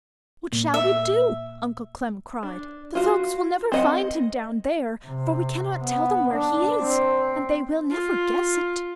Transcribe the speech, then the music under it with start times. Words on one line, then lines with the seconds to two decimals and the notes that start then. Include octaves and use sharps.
"What shall we do?" Uncle Clem cried, "The folks will never find him down there, for we can not tell them where he is, and they will never guess it!"
0.52 A#2
0.74 E5
2.43 D4
2.95 F4 F#4
3.72 C4 D#5 F#5
5.07 C3
5.84 B3
6.35 D4
6.82 C4
7.91 F4